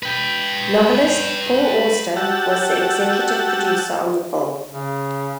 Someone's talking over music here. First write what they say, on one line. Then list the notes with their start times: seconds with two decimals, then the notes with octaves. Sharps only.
Novelist Paul Auster was the Executive Producer on the film.
0.03 B4 G5
2.16 F#4 G4 F#5 A5 E6
4.70 C#3